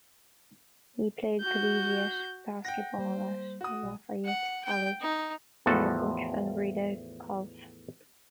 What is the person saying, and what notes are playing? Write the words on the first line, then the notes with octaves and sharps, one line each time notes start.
He played collegiate basketball at Lafayette College under Butch Van Breda Kolff.
F#4 G6
F#5 G5 A#6
G3 A#3 C5
F#4 D#6
B1 G3
F#5
G5
D#4
E2 A2 F3 F#4 A4